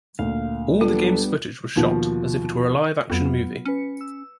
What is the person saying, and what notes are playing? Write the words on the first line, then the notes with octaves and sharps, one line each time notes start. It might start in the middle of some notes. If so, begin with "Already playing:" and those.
All the game's footage was shot as if it were a live action movie.
D2 A#2 F5
G3 B3 D4 F4 A4
D#2 B2 F3
F2 F#3 B3 F4
C#4 B4 C#7
E6